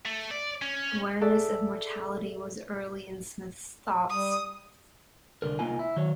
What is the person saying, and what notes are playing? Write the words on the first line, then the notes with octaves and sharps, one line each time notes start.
Awareness of mortality was early in Smith's thoughts.
A3
D5
C#4
G#4 A4 D5 E5 D6 F#6
G3 D#6
C2 D3 A#4
C2 A#3 D#4 F4 G#5
E4
D#3 F#3 C#5